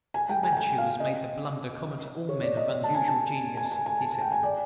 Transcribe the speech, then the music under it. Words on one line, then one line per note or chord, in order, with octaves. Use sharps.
"Fu-Manchu has made the blunder common to all men of unusual genius," he said.
G#5
G5
G#5
G5
G#5
F5
D#5
C#5
D5
D#5
A5
G#5
A5
G#5
A5
G#5
G#5
A5
A5
G5
G#5
D5